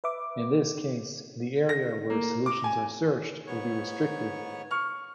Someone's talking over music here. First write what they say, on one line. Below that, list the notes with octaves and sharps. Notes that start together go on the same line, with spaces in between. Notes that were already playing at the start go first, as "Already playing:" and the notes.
In this case, the area where solutions are searched would be restricted.
B4 E5 D6
A#6
A#3
D6
G#5
G#2 B3 C#5
C#6 F6